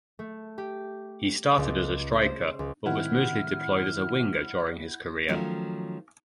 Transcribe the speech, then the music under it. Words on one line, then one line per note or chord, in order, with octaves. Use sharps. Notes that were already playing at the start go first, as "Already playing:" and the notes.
He started as striker, but was mostly deployed as a winger during his career.
A3
G4
C#2
C5
C#2
A2 D#3 C4 E4 F#5 F6
D#3 F3 F#3 A3 C#4 F4